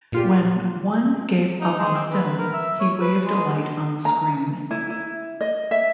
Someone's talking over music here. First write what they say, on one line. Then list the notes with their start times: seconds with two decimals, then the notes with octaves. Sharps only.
When one gave up on a film, he waved a light on the screen.
0.12 A#2 F4 G4
1.61 D#4
1.80 G#3
1.95 C4
2.11 B4
2.38 A#4
2.53 E5
2.80 C#5
3.01 B4
3.25 G#3
4.05 A#5
4.71 E4
4.90 E4
5.41 D#5
5.71 E5